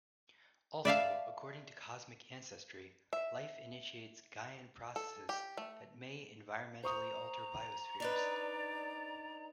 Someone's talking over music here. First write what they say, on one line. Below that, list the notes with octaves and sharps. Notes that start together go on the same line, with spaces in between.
Also, according to cosmic ancestry, life initiates Gaian processes that may environmentally alter biospheres.
D5 E5 F5 A5
E5
A4
G4
A3
C5 A#5 C#6 D#6
D4 D#4 B4 D5